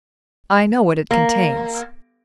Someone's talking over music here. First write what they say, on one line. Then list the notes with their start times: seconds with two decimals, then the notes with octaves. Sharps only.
I know what it contains.
1.11 A#3